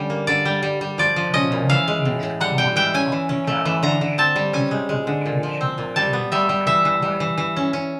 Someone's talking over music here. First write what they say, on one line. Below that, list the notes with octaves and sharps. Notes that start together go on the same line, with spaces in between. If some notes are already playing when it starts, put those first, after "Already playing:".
The northeast corner of the garage is at the location of Haymarket Square.
Already playing: D3 G3 C#4
A#3
D3 D5
G3
G3
G3
F3 D5
F3
C#4 D#5
A#2
E3 F5
G#3
A2
A2
G3 F#5
G3 G5
E3 G5
C#4 G#5
E3
C#4
A3
E3
D3 A#5
D3
C4 A5
G3
C#4 G#5
G#3
G#3
D3
A#2
F3
C4
A#2
G3 A5
B3
G3 E5
G3
E3 E5
E3
G3
E3
E3
C#4
C#4